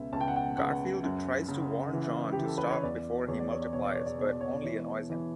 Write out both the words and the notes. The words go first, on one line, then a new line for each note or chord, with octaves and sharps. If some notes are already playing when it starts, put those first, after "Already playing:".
Garfield tries to warn Jon to stop before he multiplies, but only annoys him.
Already playing: C#2 B2 E5
C#2 A5
G5
F#5
G5
C#2 F#5
F#2
C#3
E3
G4
E3
A4
B4
C#5
E2 D5
E2 C#5
D5
C#5
D5
B2 C#5
D5
C#5
D5
B2 C#5
D5
C#5
D5
E3 C#5
E3